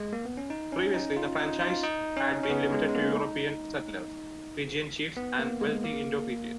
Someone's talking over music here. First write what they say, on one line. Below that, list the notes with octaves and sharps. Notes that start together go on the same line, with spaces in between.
Previously, the franchise had been limited to European settlers, Fijian chiefs, and wealthy Indo-Fijians.
G#3
A#3
B3
C#4
D#4
C#4
D#4
F4
D#4
F4
D#4
C#4
C#4
B3
G#3
G#3
A#3
D#4
B3
A#3
G#3
A#3